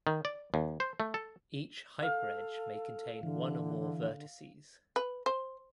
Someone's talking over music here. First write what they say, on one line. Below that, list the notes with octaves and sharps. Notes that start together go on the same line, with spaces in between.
Each hyperedge may contain one or more vertices.
D#3
D5
D#2
C5
A3
A4
A4 F5
D3 E3
B4
C5